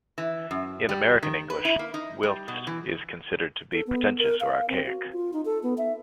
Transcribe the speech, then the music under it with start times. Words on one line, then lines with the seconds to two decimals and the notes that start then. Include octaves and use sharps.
In American English, "whilst" is considered to be pretentious or archaic.
0.18 E3
0.51 F#2
0.89 G3
1.23 D#3
1.50 B4
1.65 E4
1.79 A#3
1.94 D#4
2.23 G3
2.48 B2
2.67 E3
3.73 A4
3.87 B3
4.18 A#4
4.41 F5
4.69 C4
4.86 F#4
5.13 F4
5.33 D#4
5.45 A4
5.63 B3
5.78 E5